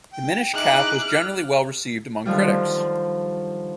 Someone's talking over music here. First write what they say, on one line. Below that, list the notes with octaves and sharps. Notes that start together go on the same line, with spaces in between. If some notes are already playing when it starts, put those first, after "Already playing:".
"The Minish Cap" was generally well received among critics.
G5
D#4 E4 G#4 D6 F#6
F6
D3 D#3 F3 G3